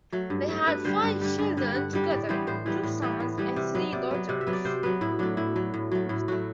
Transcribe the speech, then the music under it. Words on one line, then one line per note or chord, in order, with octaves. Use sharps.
They had five children together: two sons and three daughters.
F#3 A3
G2
F#3 A3
G2 B4
D3 G3 C5
G2 F#5
D3 G3
G2
D3 G3
G2 F#5
D3 G3
A2 D5
E3 G3 B3 C5
A2 C5
E3 G3 B3
A2
E3 G3 B3
A2
E3 G3 B3
C3
F#3 B3
C3 D5
F#3 B3
C3 F#5
E5
F#3 B3
D5
C3 C5
F#3 B3 B4
A2 E4
F#3 A3 D4
A2 E4
F#3 A3
A2
F#3 A3
A2 E4
F#3 A3 F#4